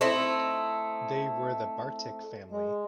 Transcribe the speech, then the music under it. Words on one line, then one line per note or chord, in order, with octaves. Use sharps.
They were the Bartik family.
A3 C4 D#4 E4
G#3